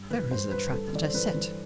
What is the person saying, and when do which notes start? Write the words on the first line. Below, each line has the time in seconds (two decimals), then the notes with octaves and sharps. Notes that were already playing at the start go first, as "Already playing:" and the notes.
There is the trap that I set!
Already playing: G2
0.10 E3 B4
0.31 G2 C5
0.51 G2 B4
0.73 G2 A4
0.93 E3 D5
1.05 C5
1.14 E3 B4
1.34 E3